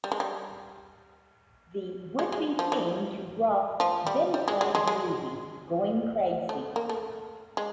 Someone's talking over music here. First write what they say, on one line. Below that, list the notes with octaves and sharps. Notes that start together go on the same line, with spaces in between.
The would-be theme to Roth's then-planned movie, Goin' Crazy!
G3
G#3
G3
G#3
G#3
F3
E3
F3
G3
G3
G#3
G#3
G#3
G#3
A3
A#3
A3
G#3